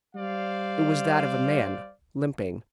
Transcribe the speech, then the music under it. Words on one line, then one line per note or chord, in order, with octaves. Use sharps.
It was that of a man, limping.
G3 C5 D5 F5